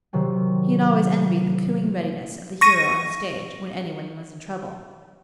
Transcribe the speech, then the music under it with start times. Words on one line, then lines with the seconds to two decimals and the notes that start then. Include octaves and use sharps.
He had always envied the cooing readiness of the hero on the stage when anyone was in trouble.
0.13 C3 D#3 F#3 C4
2.61 C#6 A#6 D#7